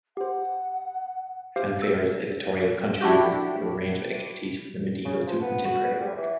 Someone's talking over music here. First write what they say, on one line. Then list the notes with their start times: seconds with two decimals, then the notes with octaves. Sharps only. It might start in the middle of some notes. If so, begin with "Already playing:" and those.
"Fanfare"'s editorial contributors have a range of expertise from the medieval to contemporary work.
0.17 G4 C5 F#5
1.56 G4 C5 F5
1.82 E6
3.01 D4 E4 F#4 G4
5.05 C#3
5.27 F3
5.41 B3
5.65 F#4
5.84 B3
6.00 G3
6.17 E3